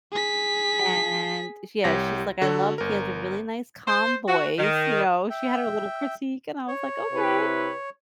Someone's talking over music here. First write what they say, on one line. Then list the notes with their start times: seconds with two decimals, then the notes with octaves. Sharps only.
and yeah, she's like, "I love he has a really nice calm voice," you know, she had her little critique, and I was like, "Okay,"
0.11 G#4 B6
1.84 C2 G4 C#5 A#6
2.42 D3 F#4 A4
2.78 G1 A#4
3.87 C5
4.28 F#4
4.58 D#3
5.30 E5 G5
6.68 C#5
7.12 C3 E4 B4